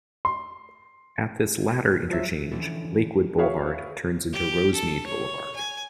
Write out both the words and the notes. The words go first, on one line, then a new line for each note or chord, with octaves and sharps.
At this latter interchange, Lakewood Boulevard turns into Rosemead Boulevard.
C6
F3 F#3 E5
D3 E3 F3 C#4 E4 A4
F#4 G#4 B4 C#5 E5 F5
G4
A4
C#5
G#5